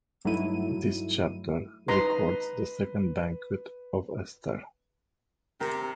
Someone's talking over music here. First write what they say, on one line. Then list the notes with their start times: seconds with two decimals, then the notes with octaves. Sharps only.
This chapter records the second banquet of Esther.
0.25 G2 F#3 A3 D#4 E4 D#7
1.88 D#4 B4 A#5 C6
5.61 C3 A#4